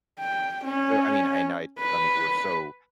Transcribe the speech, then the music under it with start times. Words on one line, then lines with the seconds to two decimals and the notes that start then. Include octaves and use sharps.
There I mean, and I I mean, we're so
0.19 G5
0.64 C#4
1.79 B4